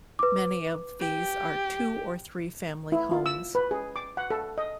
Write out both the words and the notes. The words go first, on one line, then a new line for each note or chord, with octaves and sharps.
Many of these are two or three family homes.
B4 D6
G4
E4
F4
E6
B4
G#4
D6
F#5
A4
D#5